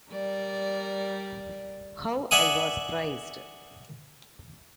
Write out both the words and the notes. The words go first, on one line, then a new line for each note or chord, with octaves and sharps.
How I was praised!
G3 A#4 D5
D5 E5 F#5 G#5 D#6